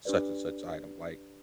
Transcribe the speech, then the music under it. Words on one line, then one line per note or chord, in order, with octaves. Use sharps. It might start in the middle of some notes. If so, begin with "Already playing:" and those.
such and such item," like,
D4 G4 B4 D5